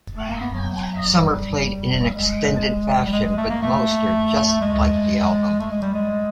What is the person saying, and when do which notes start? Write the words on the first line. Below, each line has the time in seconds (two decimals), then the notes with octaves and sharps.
Some are played in an extended fashion, but most are just like the album.
0.17 A3
0.29 A#3
0.41 B3
0.54 F#3
1.15 G3
2.14 G#3
3.06 G3
3.13 G#3
3.25 G#3
3.37 A3
3.49 A#3
3.62 A3
4.61 G#3
5.60 A3
5.71 G#3
5.82 G3
5.94 G#3